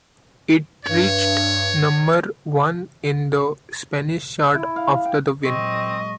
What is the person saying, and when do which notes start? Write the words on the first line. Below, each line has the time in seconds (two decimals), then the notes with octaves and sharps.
It reached number one in the Spanish chart after the win.
0.85 G2 C#5
4.55 E4
4.76 F5
5.05 G5
5.45 A#2 F#3 G#3 C4 D#5 C#6